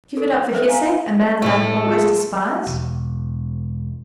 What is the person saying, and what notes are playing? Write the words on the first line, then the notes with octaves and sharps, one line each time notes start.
"Give it up for his sake,--a man that I have always despised?"
A4
A4 B4 C5 E5
F5 G#5 A#5
A2 A3 A4
G#3 F4
E1